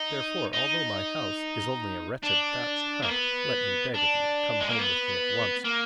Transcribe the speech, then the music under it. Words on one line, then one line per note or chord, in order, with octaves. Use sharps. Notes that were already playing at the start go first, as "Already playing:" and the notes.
Therefore, although my house is only a wretched thatched hut, let me beg of you to come home with me at once.
Already playing: D#4
D#4
D4
A#3
B3
D4
G#3
A#3
B3
A#3